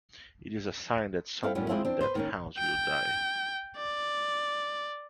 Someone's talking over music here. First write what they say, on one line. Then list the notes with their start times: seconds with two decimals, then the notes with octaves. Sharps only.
It is a sign that someone in that house will die.
1.43 C4 E4 A4 F5
1.55 E2 A2 G3 C#4
1.69 G#3 C4 D4 E4 F4 C5
1.85 C4 D4
2.01 B4 C5
2.15 D#3 A#3 C#4
2.58 G5
3.77 D5